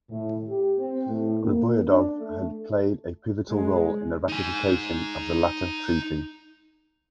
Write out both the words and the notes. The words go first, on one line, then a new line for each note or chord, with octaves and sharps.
Griboyedov had played a pivotal role in the ratification of the latter treaty.
A2
G4
C4
A2
A#3
D4
A3
G#3
D#4 G#5